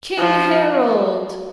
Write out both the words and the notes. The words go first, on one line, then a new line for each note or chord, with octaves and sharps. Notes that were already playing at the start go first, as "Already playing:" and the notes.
"King Harald!"
F3